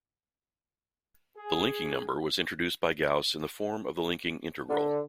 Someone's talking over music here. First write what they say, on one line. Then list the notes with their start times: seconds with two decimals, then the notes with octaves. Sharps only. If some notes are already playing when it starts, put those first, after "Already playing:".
The linking number was introduced by Gauss in the form of the linking integral.
1.37 G#4
4.69 D3